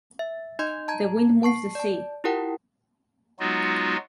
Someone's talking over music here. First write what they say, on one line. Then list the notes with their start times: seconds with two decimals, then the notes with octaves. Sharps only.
The wind moves the sea.
0.19 E5
0.59 D#4 D#5 C6 G6
0.88 A5 A#5 G#6
1.43 A5 C#6 C7
1.75 D5 A5
2.24 E4 F4 G4 A#4 F#5 G5
3.40 F#3 G#3 B3 D#4 F4 F#4